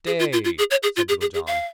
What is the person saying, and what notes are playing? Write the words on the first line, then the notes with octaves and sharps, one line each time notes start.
"Stay!" said Little John.
G#4
F4
F4
F4
G#4
C#5
G#4
F4
G#4
G#4
G#4
F5